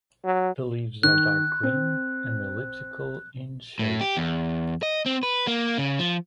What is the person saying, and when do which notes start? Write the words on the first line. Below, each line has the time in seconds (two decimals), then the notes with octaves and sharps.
The leaves are dark green and elliptical in shape.
0.25 F#3
1.03 D#3 F#6
1.63 C4
3.79 A2
4.01 G4
4.17 E2
4.83 D#5
5.06 C4
5.23 B4
5.47 A#3
5.78 C#3
5.99 F3